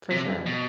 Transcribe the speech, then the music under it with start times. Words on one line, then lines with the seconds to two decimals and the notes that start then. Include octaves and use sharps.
for sure.
0.11 C3
0.46 B2